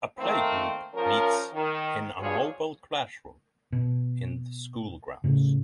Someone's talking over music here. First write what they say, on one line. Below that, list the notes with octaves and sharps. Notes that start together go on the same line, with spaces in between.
A Playgroup meets in a mobile classroom in the school grounds.
D#3 A3 A#3 C4
F3 C#4 A#4
D#3
G2 B2 F3 G#4 C#5
B2
A2 C#3